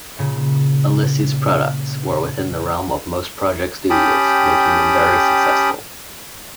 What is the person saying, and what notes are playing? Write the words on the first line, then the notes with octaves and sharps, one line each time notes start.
Alesis' products were within the realm of most project studios, making them very successful.
A#2 C#3
C#4 G4 G5 A5 B5 D#6